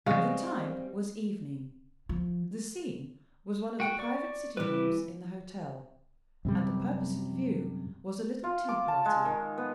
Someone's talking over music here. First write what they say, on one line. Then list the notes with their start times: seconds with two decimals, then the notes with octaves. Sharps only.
The time was evening; the scene was one of the private sitting-rooms in the hotel; and the purpose in view was a little tea-party.
0.06 C#3 F3 G3 G#3 C4 F#4 F5
2.09 F3
3.80 F#4 G5
3.99 D5 C#6
4.57 E3 G3 E4 G4 B4
6.45 F#2 C3 G3
8.44 F4
8.69 D6
8.88 A5
9.06 G#3
9.25 D#3
9.58 B3